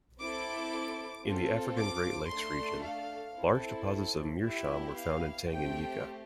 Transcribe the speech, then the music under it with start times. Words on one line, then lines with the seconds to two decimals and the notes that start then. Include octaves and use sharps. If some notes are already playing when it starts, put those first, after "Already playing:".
In the African Great Lakes region, large deposits of meerschaum were found in Tanganyika.
0.20 C4 E4 A4 D6
1.25 C4 F4 A4
1.78 D6
2.31 A3 D4 A4 C6
2.84 F5
3.36 C4 E4 A4
4.42 B3 E4 G4 E5
4.96 F5
5.48 A3 C4 G4 G5